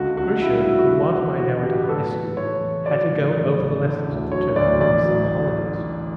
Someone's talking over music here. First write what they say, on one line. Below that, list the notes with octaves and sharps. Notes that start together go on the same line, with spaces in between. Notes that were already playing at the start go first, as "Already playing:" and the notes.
Grisha, who was by now at a high school, had to go over the lessons of the term in the summer holidays.
Already playing: C#2 D3 F#4
C#2 F#4
F#3 E4
E4
F#3 E4
F#4
D3
E2
E2 F#4
F#3 G4
B4
A2 A4
E3 B4
E3 C#5
E3
F#3 D5
A1
A1
A1
D3
D2
F#3 C#5
D2 D5
A1 D5
F#3